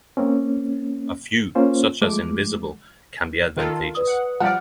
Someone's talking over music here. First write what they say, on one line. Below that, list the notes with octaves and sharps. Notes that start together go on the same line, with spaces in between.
A few, such as invisible, can be advantageous.
A#3 C4 C#4
A#3 C#4 F4 C5
F3 G#3 A3 D6
D#3 F4 A4
B4 D5 D#6
F#5
F3 G3 D5 F#5 F6